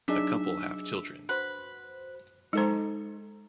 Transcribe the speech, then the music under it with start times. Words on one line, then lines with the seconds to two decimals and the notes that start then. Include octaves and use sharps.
The couple have children.
0.08 F#3 D4 D#4 G#4 E5
1.29 F#4 B4 C5
2.53 G#3 D#4 A4 C5 A#5